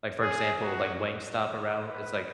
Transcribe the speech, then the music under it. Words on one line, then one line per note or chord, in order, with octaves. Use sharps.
like for example, like Wingstop, around w it's like
G#4
F#4
B4